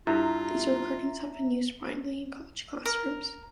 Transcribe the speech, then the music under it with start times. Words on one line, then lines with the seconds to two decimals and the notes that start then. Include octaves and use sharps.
These recordings have been used widely in college classrooms.
0.07 G2 E4 F4 E5 A#5
2.85 A#4